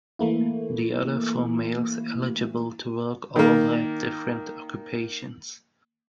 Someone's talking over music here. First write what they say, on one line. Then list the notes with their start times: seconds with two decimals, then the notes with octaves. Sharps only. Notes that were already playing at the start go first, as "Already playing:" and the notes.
The other four males eligible to work all had different occupations.
0.19 E3 A3 A#3 E4
3.36 D#3 A#3